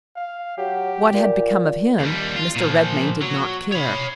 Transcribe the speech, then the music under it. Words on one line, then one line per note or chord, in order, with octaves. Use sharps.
What had become of him Mr. Redmain did not care.
F5
F#3 G4
A#2
D#2 G3
F4
A#2 F3
F#3
C#5 B5